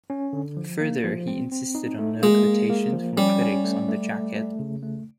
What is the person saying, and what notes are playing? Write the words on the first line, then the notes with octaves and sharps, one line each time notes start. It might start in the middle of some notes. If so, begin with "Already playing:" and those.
Further, he insisted on no quotations from critics on the jacket.
C#4
D3
F3
A#3
F3
C4
C4
D#4
A3
G#3 A#3
A#3
A#3
F3
G3 C#4
C#4
A3
A3
A3
A3
C#3
A3